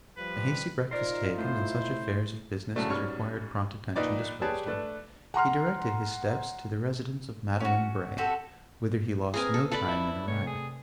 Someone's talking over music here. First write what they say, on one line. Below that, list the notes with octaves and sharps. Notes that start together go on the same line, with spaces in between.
A hasty breakfast taken, and such affairs of business as required prompt attention disposed of, he directed his steps to the residence of Madeline Bray: whither he lost no time in arriving.
F3 G3 B4
D#4 F4 A#4 C5 D5
A2 A3 E4 C5
A2 C#3 F#3 A3 D4
G#2 B2 G3 C#4 C#6 F6
A#1 D#3 D#4 B4 D5 D6
G4 G#4 B4 C#5 D5 A5
A3 D4 B4
F#5 A#5 C6 F6
C#4 F#4
C4 F#4 G4 A4
C4 G#4 A#4 B4 G#5
A4
A4 B4 D5 B5
E4
C3 A3 C#5
G#4